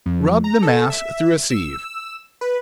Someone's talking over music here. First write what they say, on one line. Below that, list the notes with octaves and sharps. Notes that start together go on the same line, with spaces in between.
Rub the mass through a sieve.
F2
A#5
A4
E5
E6
B4